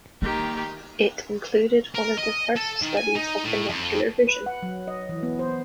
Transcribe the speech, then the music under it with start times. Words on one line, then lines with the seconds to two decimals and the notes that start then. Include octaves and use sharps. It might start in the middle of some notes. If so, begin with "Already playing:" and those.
It included one of the first studies of binocular vision.
0.22 D#3 A#3 G4
1.95 A#4
2.18 D#5
2.56 A4
2.82 D#3
2.97 G#5
3.15 D#4
3.44 A2
3.69 F2
4.27 B4
4.46 F#5
4.63 F#3
4.88 D#5
5.09 E3
5.23 B3
5.39 C5